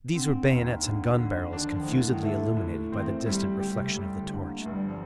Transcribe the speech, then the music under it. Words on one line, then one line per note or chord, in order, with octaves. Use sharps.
These were bayonets and gun-barrels confusedly illuminated by the distant reflection of the torch.
D3 C4
D#2
D3
D3
D#3 D4
F3
D#3
A2
D#3
D3 A3
A2
D#3 C4
G3
D3 G4
C3
D3
G3
D3
A#3
A3
G1
G3
F3